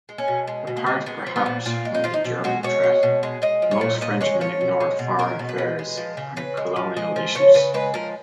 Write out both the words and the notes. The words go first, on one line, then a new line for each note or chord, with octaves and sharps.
Apart perhaps from the German threat, most Frenchmen ignored foreign affairs and colonial issues.
G#3
C#4
B2
G#3
B2
A#3
G#3
G#3 B3
F3
B3
A#2
A#2 F4
G#3
D#4
F3 F4
D#4
B2
G#3 F#4
B2 C#5
G#3
B2
G#3
G#3 D#5
F3
C#5
A#2
A#2 D#5
G#3 C#5
F3 C#5
B2
G#3
B2
G#3 A#4
B2
B4
G#3
G#3
F3
C#3
C#3 B4
G#3
F3
G#3 D#5
F3
C#3 C#5
C#3 B4
G#3 B4
F3 A#4